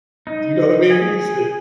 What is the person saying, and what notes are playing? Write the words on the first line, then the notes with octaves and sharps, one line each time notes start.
you know what I mean, he said
D#4
G#4